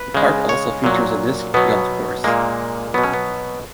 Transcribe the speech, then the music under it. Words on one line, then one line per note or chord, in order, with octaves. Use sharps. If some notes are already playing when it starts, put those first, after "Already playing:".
The park also features a disc golf course.
Already playing: B4
C#3 G#3
C#5
A#2 F#3
B2 F#3 B3
A#2 G#3 A#3
B2 F#3 B3
C#4
B3